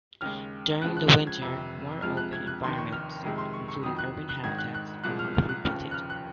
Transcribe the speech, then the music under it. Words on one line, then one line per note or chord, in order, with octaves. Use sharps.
During the winter more open environments, including urban habitats, are frequented.
D#2 C#3 G#3 F6
C#2 C#3 F3 G#3 F#6
F#6
F#6
G#6
F1 F2 C3
F2 C3 F3 G#3 F6
F#6
G#6
F#6
F1 D#2 D#3 C6
C#6
F6
F2 C3 D#3 G#3
C6
C#6
C#6
F2 D#3 F#3 D#6
F#6
F#6
G#1 G#2 D#3 G#6
F#6
F#6
C2 A#2 F3 G#3 F#6
F6
F6
F#6
F1 D#2 C#3 F3 F6
F#6
F6
F#6